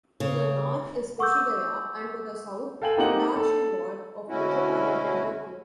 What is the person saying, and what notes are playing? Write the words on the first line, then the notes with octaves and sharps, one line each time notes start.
To the north is Koshigaya and to the south Adachi Ward of Metropolitan Tokyo.
C#3
F#5 C#6 D6 E6 G6
A4 F5 G5 G#5 F#7
A#3 C4 D#4 G4 F#5 F#7
A4
D2 B2 C#4 E4 F#4